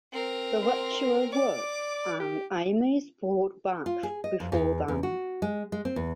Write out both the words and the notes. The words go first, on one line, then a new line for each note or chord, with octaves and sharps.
The ritual works and Amy is brought back before them.
C4 A#4
C5
D5 D6
G4
F4
G#4
D#5
F2
E2
E2
F#4
G#3
G#3
C4
E2